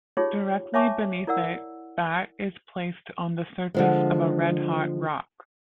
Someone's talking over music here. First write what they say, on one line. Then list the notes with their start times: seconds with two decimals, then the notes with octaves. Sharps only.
Directly beneath it, fat is placed on the surface of a red-hot rock.
0.17 D#4 F4 G4 G#4 C#5
0.74 C#5 E5 G#5 A5 C#6 D6
1.27 E4 A#4 D5 F#5 E6
3.74 D3 F3 G#3